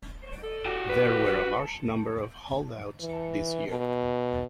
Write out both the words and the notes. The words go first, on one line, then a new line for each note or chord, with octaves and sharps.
There were a large number of holdouts this year.
A4
F#4 G4
B4
E3
B2